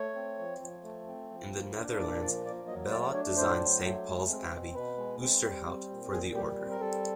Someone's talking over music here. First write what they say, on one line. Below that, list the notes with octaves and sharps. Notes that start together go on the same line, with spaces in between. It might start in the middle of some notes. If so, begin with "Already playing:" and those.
In the Netherlands Bellot designed Saint Paul's Abbey, Oosterhout, for the Order.
Already playing: A3 C#5
C4
F3
F3
A3
C4
F3
A#3
D4
A#2 D5
F3 D5
A#3 D5
F#3 D#5
A3 D5
D4 C#5
A2 C5
F#3
A3
G#3
C4
B2
B2 B4
G#3
C4
G3
C4
A#2
A#2 G#4
G3 G4
C4
A#4
G3 A4